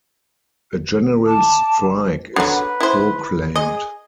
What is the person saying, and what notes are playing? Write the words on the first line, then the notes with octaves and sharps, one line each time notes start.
A general strike is proclaimed.
A5 D6
D3 F#3 B4
E4 C5
G#4 D#5